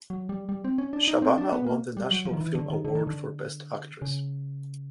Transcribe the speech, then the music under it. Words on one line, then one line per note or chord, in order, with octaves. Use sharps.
Shabana won the National Film Award for Best Actress.
F#3
G3
G3
C4
C#4
D4
D#4
C4
D4
B3
A#3
G3
F#3
F3
D#3
E3
D3
D#3
D3
D#3
D3
C#3